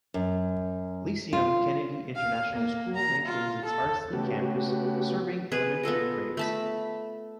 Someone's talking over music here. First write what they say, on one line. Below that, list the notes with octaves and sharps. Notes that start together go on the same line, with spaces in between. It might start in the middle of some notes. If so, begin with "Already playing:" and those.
Lyceum Kennedy International School maintains its Ardsley campus, serving elementary grades.
F#2
F4
F5
A#3
A#5
F4
A4
C#3 A3 B3 F#4 G4
B3 G#4 B4
B3 F4 A4 D#5
A3 A5 B5